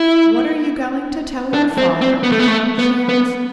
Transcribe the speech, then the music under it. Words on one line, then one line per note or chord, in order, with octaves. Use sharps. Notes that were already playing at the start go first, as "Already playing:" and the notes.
"What are you going to tell your father?" she asked.
Already playing: E4
D4
C4
C4
B3
A3
B3
A3
B3
B3